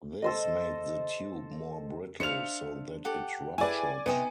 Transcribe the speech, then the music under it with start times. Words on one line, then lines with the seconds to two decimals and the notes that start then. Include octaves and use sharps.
This made the tube more brittle so that it ruptured.
0.22 A4 C5 D#5
2.20 D4 C5 E5 F5 C#7 F7
3.05 G4 A4 F#5
3.58 E4 G#4 B4 D5 G#5
4.06 C3 B3 D#4 G5 G#5 D#6